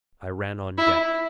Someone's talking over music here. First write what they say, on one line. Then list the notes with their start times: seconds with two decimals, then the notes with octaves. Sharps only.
I ran on deck.
0.78 E4